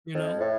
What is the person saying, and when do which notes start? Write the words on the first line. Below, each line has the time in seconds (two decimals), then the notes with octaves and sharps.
You know?
0.14 F2
0.40 A2